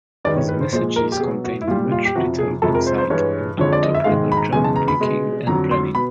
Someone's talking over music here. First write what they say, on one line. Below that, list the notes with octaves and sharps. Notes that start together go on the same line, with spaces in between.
These messages contained much vital insight into top-level German thinking and planning.
G2 D#3 G#3 D5
C#5
B4
C5
A#2 F3 G#3 C5
A#4
G4
B2 F#3 G#4
F#4
E4
A#2 G3 F4
F4
G4
F2 C3 F3 F#4
G#4
F2 C3 F3 G#3 A4
A#4
C5
C5
G2 E3 G#3 C#5
F2 D3 F3 G#3 C#5
D5
D#5
E5
G#2 D#3 G#3 F5
B5
A#5
E2 C#3 E3 G#3 G#5
A5
A#5
B5
B2 G#3
F2 D3 F#3 A#5
C6
B2 B5